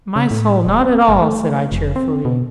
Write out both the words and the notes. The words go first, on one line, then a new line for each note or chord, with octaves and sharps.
'My soul, not at all!' said I, cheerfully.
C#3
A2
D1
C4
G1
A3
F1
C4
B2